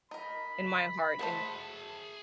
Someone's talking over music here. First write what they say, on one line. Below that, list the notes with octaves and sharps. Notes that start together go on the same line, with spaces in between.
in my heart and
D#4 A#4 B5
A3 G#4 C5 F#5 A5